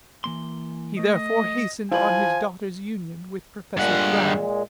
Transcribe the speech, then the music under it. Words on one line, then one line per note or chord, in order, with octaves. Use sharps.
He therefore hastened on his daughter's union with Professor Crab.
E3 A#3 C6
A3 D#5
F3 E4 G#5 B5
G2 A#2 G#3 F#5